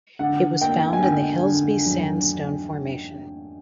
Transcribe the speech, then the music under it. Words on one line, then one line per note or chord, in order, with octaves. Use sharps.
It was found in the Helsby Sandstone Formation.
D3 F#5
A#3 G5
G#5
D3 G5
D3
F#3